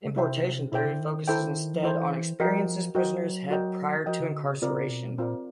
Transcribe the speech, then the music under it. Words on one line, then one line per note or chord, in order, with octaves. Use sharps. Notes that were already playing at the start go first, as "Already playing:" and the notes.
Importation theory focuses instead on experiences prisoners had prior to incarceration.
C#3
C3 E4 A4 C5 E5 G5
B2 E4 A4 C5 E5 G5
C#3
D3
D#3
E4 A4 C5 E5 G5
F3
E3 E4 A4 C5 E5 G5
F3 F#4 A#4 D#5 G5
F#3 F#4 A#4 D#5 G5
F#4 A#4 D#5 G5
F3 F#4 A#4 D#5 G5
C#3
D3
C#3
C#3 C4 F4 A#4 D5
B2
A#2 C4 F4 A#4 D5